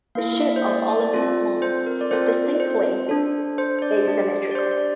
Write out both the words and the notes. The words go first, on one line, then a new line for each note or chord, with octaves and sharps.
The shape of Olympus Mons is distinctly asymmetrical.
A#3 E4 A4 F5
E5
C5
D5
D5
C4 F4 A4
C5
A#4
D5
C4 F4 A4 C5
C5
D4 A4
C5
C5
D5
D4 G4
D5
C5
D5